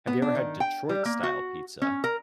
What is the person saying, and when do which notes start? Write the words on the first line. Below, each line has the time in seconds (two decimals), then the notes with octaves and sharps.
have you ever had Detroit-style pizza?
0.07 B3
0.22 D4
0.35 D#3
0.60 G5
0.89 G3
1.05 A#3
1.23 F#4
1.82 C#4
2.04 A#4